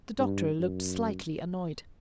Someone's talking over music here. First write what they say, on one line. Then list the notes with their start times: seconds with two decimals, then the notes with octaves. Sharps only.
The doctor looked slightly annoyed.
0.19 G2
0.60 F#2